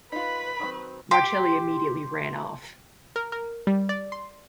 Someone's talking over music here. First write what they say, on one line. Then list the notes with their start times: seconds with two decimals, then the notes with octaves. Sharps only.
Marcelli immediately ran off.
0.12 D#4 F4 B4 B5
0.60 D#3 F#3 C4
1.11 G4 C6
3.16 A#4
3.32 A#4
3.67 G3
3.89 D5
4.12 C6